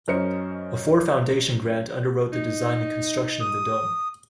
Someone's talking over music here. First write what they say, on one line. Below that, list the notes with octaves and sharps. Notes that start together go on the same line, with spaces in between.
A Ford Foundation grant underwrote the design and construction of the dome.
F#2 C#4 A#4 C5 D#5 C#7
D#4
D#6